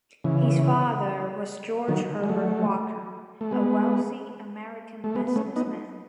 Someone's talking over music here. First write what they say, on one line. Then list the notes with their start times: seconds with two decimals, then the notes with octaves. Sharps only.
His father was George Herbert Walker, a wealthy American businessman.
0.24 C#3 E3
1.88 D#3 F#3
2.24 G#3
2.29 F#3 A3
3.41 A3
3.51 G#3 B3
5.04 A3
5.15 G#3 B3
5.27 B3
5.36 A3 C#4
5.56 B3 D#4